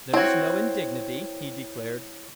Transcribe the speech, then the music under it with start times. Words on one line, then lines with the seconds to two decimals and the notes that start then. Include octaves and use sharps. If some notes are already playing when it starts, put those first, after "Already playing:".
"There is no indignity," he declared.
0.14 C4 E4 F#4 C#5 G#6